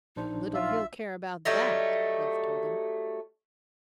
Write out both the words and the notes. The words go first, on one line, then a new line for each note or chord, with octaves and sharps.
"Little he'll care about that," Bluff told him.
A#1 D4 D#4 C5
F4 E5
F#3 G3 A3 D#4